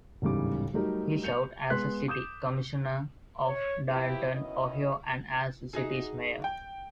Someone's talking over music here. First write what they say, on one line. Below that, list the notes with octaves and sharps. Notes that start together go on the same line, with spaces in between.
He served as a city commissioner of Dayton, Ohio, and as the city's mayor.
D1 E2 G#2 C#3 G3 D6
F#3 G3 A3 D#4 G4 A#4
G6 C#7 F7
G#3 B3 C6 F#6 B6
D6 D#6 G6 E7
C#5
F3 F#3 B3 E4 G4
B2 D#3 C#4 E4 D#5
D#4 F#4 G#4
G5